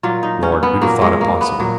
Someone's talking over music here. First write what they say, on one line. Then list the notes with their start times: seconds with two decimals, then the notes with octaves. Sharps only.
"Lord--who'd have thought it possible!"
0.03 A#2 F#3 F4
0.23 D#4
0.43 C#4
0.63 B3
0.81 A#2 F#3 A#3
1.01 G#3
1.21 A#3
1.41 B3
1.60 A#2 F#3